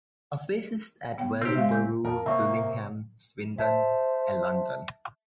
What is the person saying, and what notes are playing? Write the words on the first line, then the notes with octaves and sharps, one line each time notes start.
Offices at Wellingborough, Dullingham, Swindon and London.
C#3 B3 G5
C#3 C4 D#4 G4
G#3 E5 F5
G#5 E6 G6
F2 A#4
C3 A#3 C4 C#5 E5
C5 E5 A5